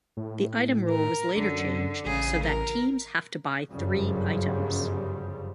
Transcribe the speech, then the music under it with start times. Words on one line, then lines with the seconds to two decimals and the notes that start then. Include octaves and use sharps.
The item rule was later changed so that teams have to buy three items.
0.17 A2
0.90 A#4
1.37 F#2 D3
2.06 A1 C#3 G#4
2.44 A#4
3.70 G1 F#2 C#3 F3 G3